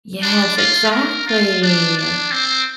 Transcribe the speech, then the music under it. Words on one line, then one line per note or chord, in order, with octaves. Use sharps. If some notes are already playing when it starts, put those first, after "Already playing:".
Yes, exactly.
D4
F4
A#4
F4
D4
D4
C4